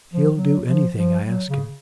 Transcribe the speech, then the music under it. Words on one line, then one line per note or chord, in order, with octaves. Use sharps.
He'll do anything I ask him.'
F3
F#3
F3
F3
F#3
C#3